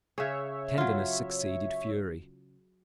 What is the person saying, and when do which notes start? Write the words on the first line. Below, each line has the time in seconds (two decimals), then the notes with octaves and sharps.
Tenderness succeeded fury.
0.18 C#3 G#4 C#5 E5
0.78 F#3 F4